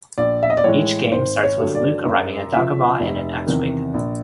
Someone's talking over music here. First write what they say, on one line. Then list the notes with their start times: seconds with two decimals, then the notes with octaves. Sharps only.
Each game starts with Luke arriving at Dagobah in an X-wing.
0.18 A#1 D5
0.43 E5
0.50 D#5
0.57 D5
0.64 A2 E3 G#3 C#5
1.11 G#1 C5
1.43 C#5
1.58 G2 D3 F#3 A3
1.75 D5
2.05 F#2
2.53 C#3 F3 E5
3.00 F1
3.46 E2 C3 D#3
3.94 A#1